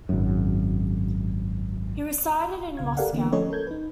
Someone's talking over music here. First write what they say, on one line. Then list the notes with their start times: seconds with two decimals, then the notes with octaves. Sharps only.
He resided in Moscow.
0.09 G#1 F#2
2.77 B1 C#3 F5 G#6
2.97 G4 A4 A#4 D5 F5 F#5
3.13 D3 E3 A#3 B3
3.32 F3 A3 C#4 A4 C#5 D#5
3.50 A4 A#4 G6 G#6
3.67 D#4 B4